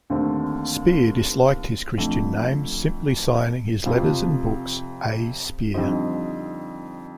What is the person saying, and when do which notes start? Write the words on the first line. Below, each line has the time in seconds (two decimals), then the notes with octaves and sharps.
Spir disliked his Christian name, simply signing his letters and books "A. Spir".
0.10 D#2 D3 A3 C4
1.98 F2 D3 A3
3.86 F2 C3 F3 C4
5.74 F2 D3 G3 C4 D#4